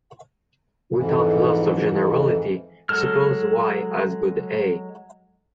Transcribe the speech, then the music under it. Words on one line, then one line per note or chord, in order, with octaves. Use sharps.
Without loss of generality, suppose Y has good A.
F2 G#2 E3
F#3 G#3 A4 F6